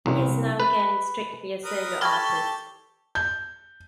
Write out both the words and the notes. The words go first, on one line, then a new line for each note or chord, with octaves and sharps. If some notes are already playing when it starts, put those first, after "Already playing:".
He is now again strictly a solo artist.
C2
B4
A#4 B4 D#6
G4 A4 A5 B5 C#6 F6 G#6 G7
G6